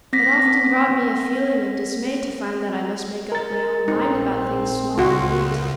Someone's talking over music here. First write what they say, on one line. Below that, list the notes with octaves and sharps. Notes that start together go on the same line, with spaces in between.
It often brought me a feeling of dismay to find that I must make up my own mind about things small and great.
C4 A#6 B6
A#4 A6
A#1 C4 D#4
C#2 F4 F#4